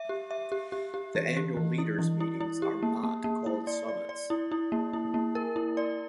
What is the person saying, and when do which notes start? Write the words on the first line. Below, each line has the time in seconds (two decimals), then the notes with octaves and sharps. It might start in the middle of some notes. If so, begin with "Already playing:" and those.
The annual Leaders' Meetings are not called summits.
Already playing: E5
0.09 G4
0.31 E5
0.52 G4
0.72 G4
0.94 G4
1.15 E3
1.36 G4
1.57 E3
1.78 E4
1.99 E3
2.20 E4
2.41 E4
2.62 G4
2.83 A#3
3.03 A#3
3.24 A#3
3.46 E4
3.67 D5
3.89 D5
4.09 D5
4.30 E4
4.52 E4
4.72 A#3
4.93 E4
5.14 A#3
5.35 A#4
5.56 E4
5.77 D5